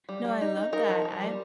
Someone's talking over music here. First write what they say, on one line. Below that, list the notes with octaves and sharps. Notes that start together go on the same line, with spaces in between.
no, I love that, I've
G3
G3
D#4
D#4
D#4 A#4
F3
F3
G3